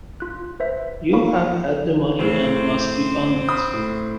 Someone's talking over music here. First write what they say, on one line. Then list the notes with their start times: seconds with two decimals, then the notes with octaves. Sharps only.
You have had the money and must refund it.
0.20 F4 F#6
0.60 B4 C5 E5
1.13 F5 B5 C#6
2.19 A2 C#3 C4 C5
3.49 B5 D#6
3.73 A2